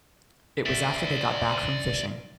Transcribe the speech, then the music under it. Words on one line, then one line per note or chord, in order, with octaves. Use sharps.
It was after they got back from fishing.
D5 E5